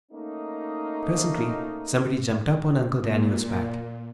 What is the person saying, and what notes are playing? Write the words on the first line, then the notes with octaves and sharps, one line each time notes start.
Presently somebody jumped up on Uncle Daniel's back.
A3 A#3 C#4 D#4
A#2